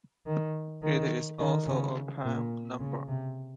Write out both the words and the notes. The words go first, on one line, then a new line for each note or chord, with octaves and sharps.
It is also a prime number.
D#3
D#3
D#3
C#3
A#2
C#3
C3